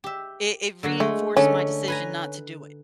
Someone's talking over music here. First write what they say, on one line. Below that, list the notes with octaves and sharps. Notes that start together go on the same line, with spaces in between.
it it reinforced my decision not to do it.
G4 E5
D3 F#3 F#4
G#3 A3
D3 A3 C#4 D#4
B4 G#5 A#5